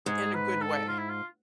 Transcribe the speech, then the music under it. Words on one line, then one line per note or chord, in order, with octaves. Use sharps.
in a good way,
G#2 G#4
B4
A4
F4
E4
F4